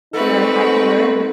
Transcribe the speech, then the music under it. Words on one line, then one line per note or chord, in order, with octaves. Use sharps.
and I had to learn
C4 D#4 F#4 A4 B4